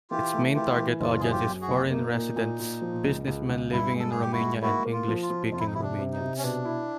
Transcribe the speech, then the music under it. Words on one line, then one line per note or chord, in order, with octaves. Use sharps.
Its main target audience is foreign residents, businessmen living in Romania and English-speaking Romanians.
E3 F4 G4
A3
E3 F4 G4
E3
F#1 F4
F#2 G#4
F4 G4
F#2
F#4 G#4
F#1
A#3 D#4
A#2
A#2
A#2
F3
C#2
C#2
C#2
G2 E4
G#3
A4
G#4
G2 G4
E4 F#4
G#3
A#3 E4 F#4
A#3
F4
F3
F4
F3
F2 F4
E4
D#4
C3 E4
D4
C3
D#4
C3
C#4
B2 D4
E4